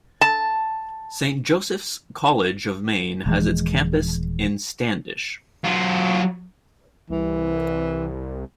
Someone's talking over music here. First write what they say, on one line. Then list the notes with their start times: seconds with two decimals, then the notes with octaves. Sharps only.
Saint Joseph's College of Maine has its campus in Standish.
0.21 A5
3.26 D#1 E3 F3 G#3
5.64 F#3 F4
7.10 C2 E3